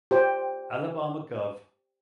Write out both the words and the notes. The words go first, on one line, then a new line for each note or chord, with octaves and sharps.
Alabama Gov.
G4 C5 G5